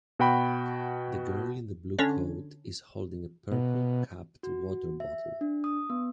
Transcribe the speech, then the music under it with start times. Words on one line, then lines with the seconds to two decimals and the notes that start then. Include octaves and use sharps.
The girl in the blue coat is holding a purple capped water bottle.
0.19 B2 F#4 G5 B5
1.99 D3 C#4 D4 C#5
3.52 B2
4.43 F#4
5.00 E5
5.41 D4
5.64 D#6
5.90 B3